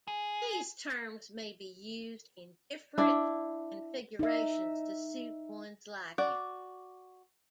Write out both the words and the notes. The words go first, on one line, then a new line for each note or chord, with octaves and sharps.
These terms may be used in different configurations to suit one's liking.
G#4
D4 E4
D#4 E5
F#4 D5